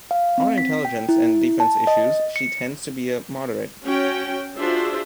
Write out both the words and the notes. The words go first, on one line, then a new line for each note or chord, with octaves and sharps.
On intelligence and defense issues, she tends to be a moderate.
F5
C4
B6
G5
E4
A5
D#5
C#7
C#4 F#4 G5
D4 F4 F#4 G#4 C5 E5